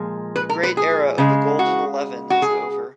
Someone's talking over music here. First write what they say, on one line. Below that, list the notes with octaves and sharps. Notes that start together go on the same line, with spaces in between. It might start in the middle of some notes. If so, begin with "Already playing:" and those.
The great era of the Golden Eleven is over.
Already playing: A#2 F3 G#3
B4
A#4
B4
G#4
C#3 G#3
F#4
F#4
G#4